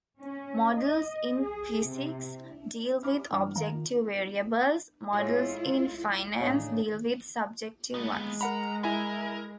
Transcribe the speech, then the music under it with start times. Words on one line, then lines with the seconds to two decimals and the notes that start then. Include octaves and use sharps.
Models in physics deal with objective variables; models in finance deal with subjective ones.
0.20 C#4
0.75 D#5
1.41 G#4
1.86 C3
3.03 B5 D6 F6
3.31 G2 E3 G3
3.56 D#3 F5 A#5
3.73 F4
5.13 A2 G#3 E4 F4
6.40 A2 C#3 D4 D#4
7.94 G#3 A#3 B3
8.41 A#4 F#5 A#5 B5
8.83 E4 A#4 G#5 B5